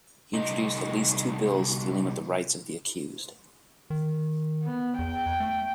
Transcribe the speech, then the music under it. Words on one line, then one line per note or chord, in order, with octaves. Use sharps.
He introduced at least two bills dealing with the rights of the accused.
C2 D#4
D#3
B3
E2 G5
A3